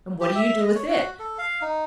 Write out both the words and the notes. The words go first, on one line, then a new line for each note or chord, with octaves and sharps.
"And what do you do with it?"
G4
E5
D#5
C#5
F#4
A4
F5
D#4